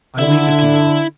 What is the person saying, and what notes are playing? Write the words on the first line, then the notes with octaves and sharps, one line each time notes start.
I leave it to you.
D3 E4 E5